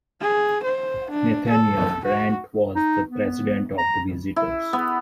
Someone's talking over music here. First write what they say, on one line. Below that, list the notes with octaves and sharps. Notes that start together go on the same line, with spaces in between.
Nathaniel Brent was the president of the visitors.
G#4
C5
D4
A4
F#4
D#4
B3
A#5
E4
B3